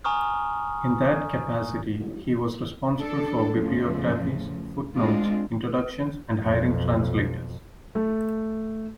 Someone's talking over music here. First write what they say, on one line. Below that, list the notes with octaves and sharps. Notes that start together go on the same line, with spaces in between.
In that capacity, he was responsible for bibliographies, footnotes, introductions, and hiring translators.
G#5 A#5 C#6 D#6 F6
D4 A4
E2 A2 C#3 F3 A3
G#3 C4 D4 F4
B1 F2
A3